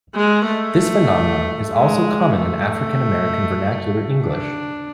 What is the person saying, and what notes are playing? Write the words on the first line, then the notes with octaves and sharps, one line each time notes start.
This phenomenon is also common in African American Vernacular English.
G#3
A3
G#3
A3
D4